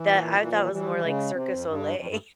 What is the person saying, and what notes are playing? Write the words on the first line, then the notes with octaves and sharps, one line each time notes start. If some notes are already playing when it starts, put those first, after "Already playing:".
that I thought was more like Cirque du Soleil.
Already playing: E3
A#2
A#2 E3
F3
E3
E3 G3
E3
C#3 G#3
C3 C4
F2
G2
F2
G2